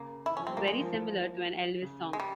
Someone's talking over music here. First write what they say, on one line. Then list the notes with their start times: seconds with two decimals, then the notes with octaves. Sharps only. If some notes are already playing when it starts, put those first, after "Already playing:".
It's very similar to an Elvis song.
Already playing: C#3 A#3
0.26 E3 E4
0.37 F3 C#4
0.47 G3 C4
0.57 G#3 A#3
0.68 G#3 A#3
0.81 F3
0.94 E3
1.82 C#3
2.13 G#3
2.20 G3